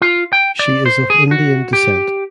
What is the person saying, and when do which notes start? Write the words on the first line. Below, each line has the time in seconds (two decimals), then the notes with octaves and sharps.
She is of Indian descent.
0.02 F4
0.33 G5
0.59 D5
0.86 C5
1.10 G#4
1.31 F#4
1.73 G4